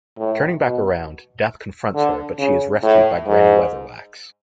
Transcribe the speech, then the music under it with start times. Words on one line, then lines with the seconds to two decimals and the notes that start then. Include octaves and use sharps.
Turning back around, Death confronts her but she is rescued by Granny Weatherwax.
0.18 A2
0.63 B2
1.95 D3
2.38 C#3
2.83 A2
3.27 G#2